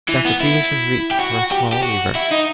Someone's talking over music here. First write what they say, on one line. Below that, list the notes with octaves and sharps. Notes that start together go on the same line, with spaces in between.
Dr. Peterson reached for a small lever.
E3
B3
E4
G4
F#4
G4
G4
F#4
E4
D#4